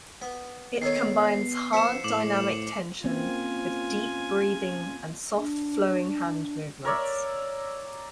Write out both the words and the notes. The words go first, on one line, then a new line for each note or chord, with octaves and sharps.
It combines hard dynamic tension with deep breathing and soft flowing hand movements.
B3
D#3 B3 A4 C#5 C7
F3 B4 E5 C#7 E7
A2 D6 E7 F#7
A#3 C4 C#4 F4 G#5
D4
A#4 C#5 D5 E5